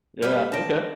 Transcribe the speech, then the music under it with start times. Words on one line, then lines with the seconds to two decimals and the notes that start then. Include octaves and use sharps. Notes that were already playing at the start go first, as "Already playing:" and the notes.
Yeah. Okay.
0.22 D2 G3 B4 F6
0.52 D#3 D4 A5 A#6 D7